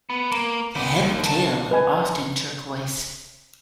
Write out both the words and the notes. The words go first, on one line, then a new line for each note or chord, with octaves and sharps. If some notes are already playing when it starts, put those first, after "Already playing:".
The head and tail are often turquoise.
B3
A#3
C#3 B3
D#2
A5
B4 D#5 G#5